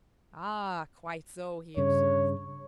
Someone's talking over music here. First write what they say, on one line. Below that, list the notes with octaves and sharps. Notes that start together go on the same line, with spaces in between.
"Ah, quite so!" he observed.
G2 C#3 C#5